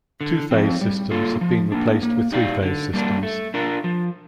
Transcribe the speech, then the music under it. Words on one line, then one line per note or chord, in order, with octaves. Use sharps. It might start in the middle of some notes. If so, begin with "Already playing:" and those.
Two-phase systems have been replaced with three-phase systems.
D3
F3 C4
G3
A#3 F4 A4
F3
A#3 D4
A#3
D#4 G4 D5 F5
D3
G3 A#3 D4
A3
D4 F4 A#4
F3